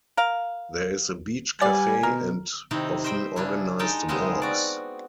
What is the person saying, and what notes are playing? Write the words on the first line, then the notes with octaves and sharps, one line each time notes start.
There is a beach cafe and often organised walks.
A#4 F5
G3 B3 D5 G#5
B2 A#4
C3 D#3 D#4 E4
C5 D#5 E5 G5 B5
C#3 D4 E4
G#3 D#4 G5 A5
C#3 G#3 B3 C4 D#4 G#4
F#4 D5